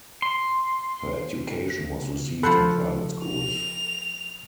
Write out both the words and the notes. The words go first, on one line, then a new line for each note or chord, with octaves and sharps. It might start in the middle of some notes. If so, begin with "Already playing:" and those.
Her education was received in private schools.
C6
F3 A4 C5 F#5 B5
F7